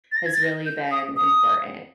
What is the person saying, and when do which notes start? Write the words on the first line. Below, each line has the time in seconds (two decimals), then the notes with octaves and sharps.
has really been important.
0.12 A6
0.17 A#6
0.26 G#6
0.34 A6
0.42 A#6
0.66 G6
0.92 D#6
1.17 D#6